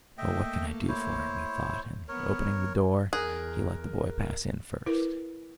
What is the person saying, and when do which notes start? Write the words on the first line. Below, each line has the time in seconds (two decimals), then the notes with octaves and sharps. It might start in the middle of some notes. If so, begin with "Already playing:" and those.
"Oh, what can I do for him?" he thought, and opening the door he let the boy pass in first.
0.18 A3 A#3 D#5 E5 G5
0.88 E4 C5 C#5
2.08 B3 A#4 C#5
3.13 E2 G#4 A#4 F#6
4.86 E4 A#4 B4